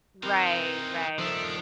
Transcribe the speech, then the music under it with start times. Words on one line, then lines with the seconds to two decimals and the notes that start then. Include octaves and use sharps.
right. Right.
0.23 E3 C4 D#4 F4 A#4
1.19 F3 D4 D#4 A4 A#4 C5 E5